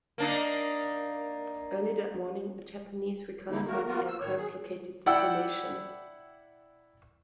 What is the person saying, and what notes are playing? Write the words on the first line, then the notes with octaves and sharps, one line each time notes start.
Early that morning, a Japanese reconnaissance aircraft located the formation.
A#3 D4 D#4
D3 E3 A#3 D#4 E4
C#3 A3 A#3 F#4 A#4
A#3 B3 F4 F#4 A#4
E6
A2 D#3 C#5
G#4
E4 D5 F#5 G5 E6